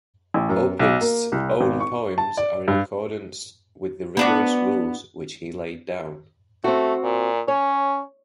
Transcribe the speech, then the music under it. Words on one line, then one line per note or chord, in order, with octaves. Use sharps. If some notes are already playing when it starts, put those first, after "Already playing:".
Opitz's own poems are in accordance with the rigorous rules which he laid down.
A1
F#2
B1
A#3
C2
G#1
C#6
A5
D5
G2
B3 D4 F#4
A3 C4 F#4
A#2
C#4 C#5